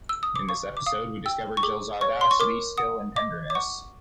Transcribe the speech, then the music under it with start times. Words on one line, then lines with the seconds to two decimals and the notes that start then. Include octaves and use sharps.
In this episode, we discover Jill’s audacity, skill and tenderness.
0.09 E6
0.23 D#6
0.36 D6
0.49 F5 C#6
0.77 D6
0.86 F5 D#6
1.26 G5 E6
1.57 C#6
1.63 G#4 D6
2.01 C#5 C#6
2.21 C6
2.31 C#6
2.40 A#4 D6
2.78 F#5 D#6
3.16 D#5 D6
3.50 D6
3.55 F#5 C#6